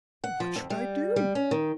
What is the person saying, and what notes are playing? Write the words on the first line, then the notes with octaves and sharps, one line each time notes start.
What should I do?
F#5
F3
F2
G3
G3
C#4
D#3